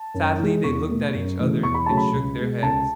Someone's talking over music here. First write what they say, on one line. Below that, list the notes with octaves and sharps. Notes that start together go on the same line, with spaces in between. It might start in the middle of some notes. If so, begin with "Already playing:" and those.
Sadly they looked at each other and shook their heads.
Already playing: A5
F#2
E3 G#3
E2 C#6
B2 A3
F#2
C#3 E3 A3
E2 C#6
B5
C#3 F#3 A3 A5
B5
C#2
B2 G#3
C#2 A5